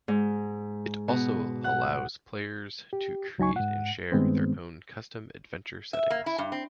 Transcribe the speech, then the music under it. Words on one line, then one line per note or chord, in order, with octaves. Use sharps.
It also allows players to create and share their own custom adventure settings.
G#2
B2
F#5
G4
C#2 F#3 D#4 G#5 C#6
G#2 F#5
G2 D#3 G#3 B3 C4
E5
A#3
E4
G2
C4